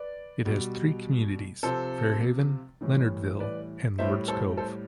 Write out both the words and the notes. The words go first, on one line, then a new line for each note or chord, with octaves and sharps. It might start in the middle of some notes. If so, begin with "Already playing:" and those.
It has three communities: Fairhaven, Leonardville, and Lords Cove.
Already playing: B4 D5
B2 G3
C3 F3 A4 C5
A2 E3 G3
B4 D5
A2 G3 C5 E5
A4 C5
A4 C5